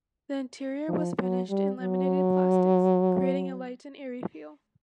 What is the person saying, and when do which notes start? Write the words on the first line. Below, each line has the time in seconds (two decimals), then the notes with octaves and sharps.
The interior was finished in laminated plastics, creating a light and airy feel.
0.89 F3
1.20 F#3
1.50 G3
1.81 F#3